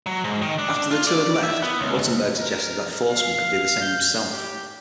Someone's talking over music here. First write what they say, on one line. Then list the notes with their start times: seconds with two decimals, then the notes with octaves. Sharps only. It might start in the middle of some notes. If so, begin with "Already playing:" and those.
After the two had left, Ruttenberg suggested that Forstmann could do the same himself.
0.06 F#3
0.24 G#2
0.42 D#3
0.58 D4
0.91 F4
1.07 D5
1.43 E5
1.63 B3
1.80 C#2
2.39 A#4
3.11 F5
3.81 G6
4.32 G4